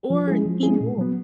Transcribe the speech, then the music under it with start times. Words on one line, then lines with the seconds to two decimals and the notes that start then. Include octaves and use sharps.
or Teen Wolf.
0.10 F3
0.27 G#3 C#4 E4 G#4
0.46 F3
0.63 G#3 C#4 E4 G#4
0.80 A#2
0.98 F#3 B3